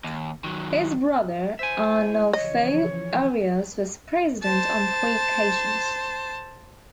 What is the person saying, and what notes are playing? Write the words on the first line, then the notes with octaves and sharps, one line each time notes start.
His brother Arnulfo Arias was president on three occasions.
D#2
D#3 F#3
E4 C5 C#5 E5 G#5
C#3 E3 F3 C#5 D#5
C5 A5